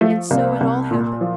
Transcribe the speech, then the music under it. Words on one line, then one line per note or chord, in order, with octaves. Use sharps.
And so it all happened.
F3 A3
C2 A#3
C2
A#2
F3